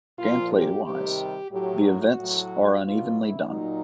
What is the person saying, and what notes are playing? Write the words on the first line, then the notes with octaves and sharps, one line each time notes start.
Gameplaywise, the events are unevenly done.
A#2 F3 F4
G4
C3 D#3 G3 G4
A2 F#3 G4
F#4
A2 F#3
B2 F#3 F4
E4
A#2 F#3 D#4